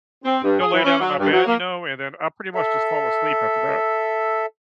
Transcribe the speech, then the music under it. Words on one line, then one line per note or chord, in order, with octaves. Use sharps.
go lay down in my bed, you know, and then I pretty much just fall asleep after that.
C4
G2
G#4
E3
C#4
F#3
G2
F#3
A#3
A4 E5